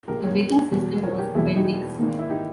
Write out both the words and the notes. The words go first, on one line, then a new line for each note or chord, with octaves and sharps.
The braking system was Bendix.
A#1 A#2 G#3 G4 A#4
A#4 C#5
E2 B2 G3
A#4 C#5
G4 A#4
E1 E2 B2 G3 A#3 E4 G#4
E4
D#4 G4
G#1 G#2 D#3 A#3
E4
D#4 G4